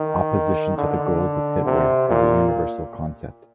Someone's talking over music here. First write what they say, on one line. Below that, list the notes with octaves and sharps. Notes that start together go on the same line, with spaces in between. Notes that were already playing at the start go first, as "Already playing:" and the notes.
Opposition to the goals of Hitler is a universal concept.
Already playing: D#3
D3
C3
A#2